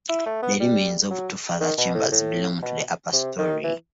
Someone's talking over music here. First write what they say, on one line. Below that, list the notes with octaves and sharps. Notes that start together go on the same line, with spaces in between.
The remains of two further chambers belong to the upper storey.
E4
A3
B3
G3
F#3
D#3
B2
A2
A2
B2
C3
D#3
E3